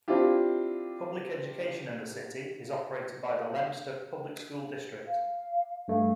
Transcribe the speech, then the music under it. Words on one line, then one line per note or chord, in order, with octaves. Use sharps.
Public education in the city is operated by the Leominster Public School District.
C4 D4 E4 F4 G4
F5
G2 A3 F5